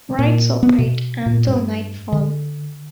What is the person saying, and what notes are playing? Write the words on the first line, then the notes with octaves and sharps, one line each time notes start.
Rides operate until nightfall.
A#2
B3
B2
A#2
G2
D3